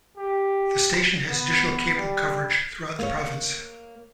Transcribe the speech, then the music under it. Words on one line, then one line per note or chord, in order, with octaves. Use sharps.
The station has additional cable coverage throughout the province.
G4
B3
G3
A#3 C#5